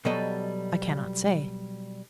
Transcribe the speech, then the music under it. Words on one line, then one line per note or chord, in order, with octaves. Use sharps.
"I cannot say."
B2 F#3 G3 A4 D#5